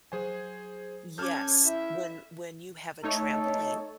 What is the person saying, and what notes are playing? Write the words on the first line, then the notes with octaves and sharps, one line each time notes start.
yes, when when you have a trampoline
F#3 G#4 C5 G#5
C#4 A4 A5 D6 F6 G6 G#6
E4 E5
A3 D#4 A4 C#5